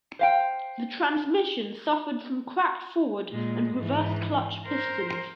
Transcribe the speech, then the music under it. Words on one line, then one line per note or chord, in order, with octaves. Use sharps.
The transmission suffered from cracked forward and reverse clutch pistons.
C5 F5 G5
A#2 G#3
G#2 E3
A#4 C5